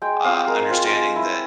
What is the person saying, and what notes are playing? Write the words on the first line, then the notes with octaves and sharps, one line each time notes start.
uh, understanding that,
G#3 G5
C4 F4 F5
G#3 A#4
C4 F4
G#3
E4